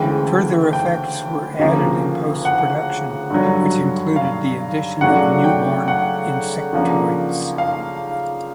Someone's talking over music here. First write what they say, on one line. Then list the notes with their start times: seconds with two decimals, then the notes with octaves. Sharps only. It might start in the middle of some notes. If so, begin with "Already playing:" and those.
Further effects were added in post-production, which included the addition of newborn Insectoids.
Already playing: D2 C#3 E3 G#3 G5
0.73 G5
1.59 D2 C#3 F3 A#3
2.45 F#5
3.30 G2 D3 F#3
4.16 F5
5.01 C#3 F#3 A3 D4 F#5
5.44 G5
5.88 F#5
6.73 C#3 F3 A#3 D4
7.58 F5